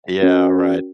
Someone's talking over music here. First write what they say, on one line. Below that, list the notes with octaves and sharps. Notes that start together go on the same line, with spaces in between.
Yeah, right.
C#4 F#4 A#4